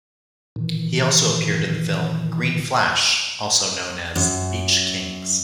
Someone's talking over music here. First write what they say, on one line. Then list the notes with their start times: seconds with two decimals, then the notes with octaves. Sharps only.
He also appeared in the film "Green Flash", also known as "Beach Kings".
0.56 A#2 D#3 E3
4.16 F#2